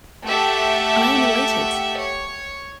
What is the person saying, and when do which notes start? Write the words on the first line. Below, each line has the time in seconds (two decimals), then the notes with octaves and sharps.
I am elated.
0.24 A3 G4 E5 F#5 G5 A5
1.99 C#5